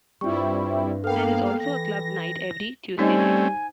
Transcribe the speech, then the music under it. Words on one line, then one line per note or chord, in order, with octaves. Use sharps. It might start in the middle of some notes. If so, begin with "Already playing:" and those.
There is also a club night every Tuesday night.
G2 G3 C4 E4 F4 C#6
A#3 B3 A4 F5 G5
E3 A#6
G3 A3 C4 C#4 D#4 C5 D#5 G#5